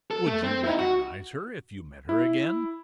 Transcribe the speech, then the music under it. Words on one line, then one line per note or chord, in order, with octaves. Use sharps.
"Would you recognize her if you met her again?"
A4
A3
C4
D#4 E4
F#4
E4